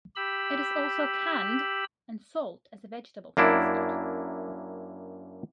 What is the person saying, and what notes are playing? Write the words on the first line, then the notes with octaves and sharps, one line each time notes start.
It is also canned and sold as a vegetable for export.
G4 B5 E6
F#2 A#3 D4 E4